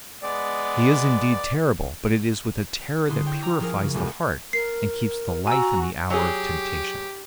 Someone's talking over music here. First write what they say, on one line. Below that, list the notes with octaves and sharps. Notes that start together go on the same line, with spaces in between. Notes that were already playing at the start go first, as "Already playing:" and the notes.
He is indeed terrible, but it is with a terror that purifies the heart and keeps the life in the hour of temptation.
G#3 B3 D5
D3 D4 E4 G#4 C6
C#5 G5
A#5 D6 E6
F3 C#4 G#4 A#4
C#3
F1 C#2 B3 G4 A4
A#4 C7
F#4 G#5 A#5 E6
F#3 G4 G#4